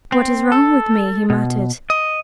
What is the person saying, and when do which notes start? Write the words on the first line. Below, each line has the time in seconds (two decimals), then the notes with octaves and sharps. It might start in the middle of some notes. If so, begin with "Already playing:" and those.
"What is wrong with me?" he muttered.
0.12 C4
0.52 A4
1.30 B2
1.90 D#5